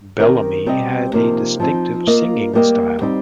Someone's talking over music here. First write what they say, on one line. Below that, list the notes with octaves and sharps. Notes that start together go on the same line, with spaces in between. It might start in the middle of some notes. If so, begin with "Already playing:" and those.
Bellamy had a distinctive singing style.
D#3 C4 G4 A#4
C3 G3 C4 G4 D#5
C3 F3 A#3 D#4
F3 C4 D#4
A#3 F4 A#4 D#5
G3 A#3 G4 C5 D#5
G3 C4 D#4 C5